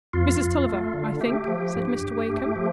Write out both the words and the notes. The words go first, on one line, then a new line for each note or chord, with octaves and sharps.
"Mrs. Tulliver, I think?" said Mr. Wakem.
F2 F4
F2
A3
D3
A3 G4
F3
G2
G2
A3
F3